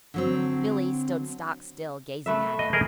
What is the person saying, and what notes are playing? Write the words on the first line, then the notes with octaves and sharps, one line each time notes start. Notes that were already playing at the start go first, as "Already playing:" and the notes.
Billie stood stock still, gazing at him.
D3 F#3 C4
A3 B4 E5
D#5
G#4 A#4 D#5